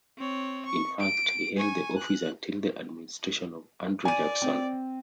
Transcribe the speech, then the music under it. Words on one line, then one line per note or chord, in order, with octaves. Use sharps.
In fact, he held the office until the administration of Andrew Jackson.
C4 C#5
C#6
D7
G#5 C#6
F#6
D5 G#5 D#7
C4